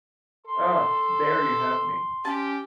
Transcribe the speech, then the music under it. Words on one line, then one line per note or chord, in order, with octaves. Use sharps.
Ah, there you have me.
A4 C6
C#4 G4 A5